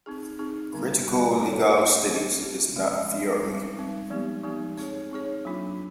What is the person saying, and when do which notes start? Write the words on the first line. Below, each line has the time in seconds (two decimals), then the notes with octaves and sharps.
Critical legal studies is not a theory.
0.06 C4 D#4 G#4
0.39 C4 D#4 G#4
0.74 D3 G3 B3
1.07 D3 G3 B3
1.41 A3 C#4 F4 A4 C#5
1.74 A3 C#4 F4 A4 C#5
2.08 C4 E4 G4
2.42 C4 E4 G4
2.76 F3 G#3 C#4
3.09 F3 G#3 C#4
3.43 G3 C4 D#4
3.77 G3 C4 D#4
4.10 F3 G#3 B3 D#4 G4
4.43 F3 G#3 B3 D#4 G4
4.77 C4 D#4 G#4 C#5
5.11 C4 D#4 G#4 C#5
5.45 F#3 A#3 D4 F4